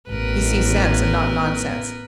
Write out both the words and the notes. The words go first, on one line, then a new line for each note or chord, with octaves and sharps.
He sees sense, and not nonsense.
A1 B3 A#4 B4